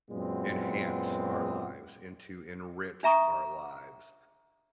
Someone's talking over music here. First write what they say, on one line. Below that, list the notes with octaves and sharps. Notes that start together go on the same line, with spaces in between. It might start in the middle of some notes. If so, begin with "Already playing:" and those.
enhance our lives, and to enrich our lives,
F#2 A#2 F#3 G#3 B3 C4
D4 E5 A#5 C#6 D#6